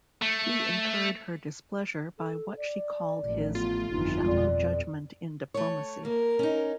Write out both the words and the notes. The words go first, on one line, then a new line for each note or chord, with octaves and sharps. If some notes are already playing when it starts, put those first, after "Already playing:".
He incurred her displeasure by what she called his "shallow judgement in diplomacy".
A3
A4
D5
A1 F3 A3
B3 F4
G1 F2 E3 D#4
F2 B2 D5
A3 C#5
A#3 A#4
C#4 D#4